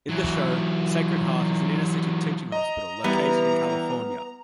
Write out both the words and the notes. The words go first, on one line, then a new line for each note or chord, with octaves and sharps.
In the show, Sacred Heart is an inner-city teaching hospital located in California.
E3 F#3
D#5 A#5
E3 G3 B3